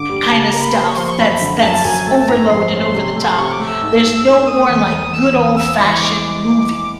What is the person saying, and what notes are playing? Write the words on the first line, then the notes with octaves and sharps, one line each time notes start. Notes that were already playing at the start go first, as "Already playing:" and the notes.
kinda stuff that's that's overload and over the top. There's no more, like, good old-fashioned movie,
Already playing: G2 D3 D6
G3
C#3 A5
A#5
A#3
B5
A#3 C6
C#6
F3 C6
C#6
F#2 B5
D3
F#2 A5
F#2 G#5
A3 A5
G#2 A#5
F3 C6
C#4
C3
A3
C3 C#6
D6
A3
E6
G#2
G#2
G#2 E6
A#3 D#6
E2
E2
E2 E6
E2 D#6
C4 E6
E3 C#6
G#3 D6